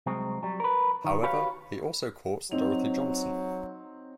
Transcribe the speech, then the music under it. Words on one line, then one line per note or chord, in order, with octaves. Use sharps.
However, he also courts Dorothy Johnson.
C2 F#3 G#3 C4
F#3 G3
A#4 B4
D#3
F#4 G4 B4 C#5 F5
F#3 C4 D#4 F7